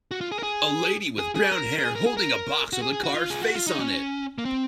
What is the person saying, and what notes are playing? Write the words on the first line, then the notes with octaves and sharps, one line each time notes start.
A lady with brown hair holding a box with a carved face on it.
F#4
F4
G#4
A#4
G#4
G#4
G#4
A#4
A#4
G#4
A#4
G#4
A#4
F#4
G#4
G#4
F#4
F4
G#4
F#4
F4
D#4
C#4
A#3
C4